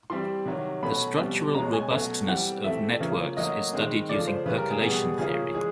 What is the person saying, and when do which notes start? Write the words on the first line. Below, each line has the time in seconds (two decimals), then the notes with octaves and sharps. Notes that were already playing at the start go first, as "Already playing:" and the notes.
The structural robustness of networks is studied using percolation theory.
0.10 E3 G3 C4 C6
0.46 C3 D#3 F#3
0.83 B2 F#3 A3 C#4 B5
1.19 B2 G3 C4
1.54 B2 G#3 C#4 A#5
1.73 G#5
1.91 B2 F#3 A3 C#4
2.27 E3 G3 C4 F#5
2.64 E3 A3 C4 E5
3.00 C#3 F3 A#3 C#4
3.37 A2 F#3 A#3 C#4 D#5
3.73 D#3 G#3 C4
4.09 C#3 F3 A3 D5
4.27 C5
4.46 C#3 E3 G3 B4
4.57 A#4
4.70 G#4
4.82 B2 G3 B3 G#4
5.18 C#3 F3 A#3 C#4 G#4
5.54 E3 G#3 G#4